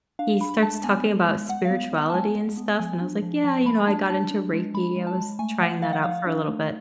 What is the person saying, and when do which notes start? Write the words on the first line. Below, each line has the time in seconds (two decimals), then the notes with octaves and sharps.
he starts talking about spirituality and stuff, and I was like, "Yeah, you know, I got into Reiki. I was trying that out for a little bit."
0.19 D4 F5
0.40 D4 B5
0.62 G#3 A5
0.84 B3 G#5
1.06 G#3
1.27 G#3
1.49 G#3 F#5
1.65 F5
1.71 B3
1.92 B3
1.97 F#5
2.10 A5
2.14 G#3 G#5
2.35 G#3
2.57 B3
2.79 F3 G#5
3.01 D4
3.22 F3
3.44 F3 A5
3.66 A3 B5
3.87 D4 A5
4.10 D4 A5
4.31 D4
4.53 G#3
4.74 G#3 B5
4.96 G#3
5.07 A5
5.17 G#3
5.39 A3 G#5
5.61 F3 F#5
5.82 F3 F5
5.93 F#5
6.04 F3 F5
6.26 D4
6.48 A3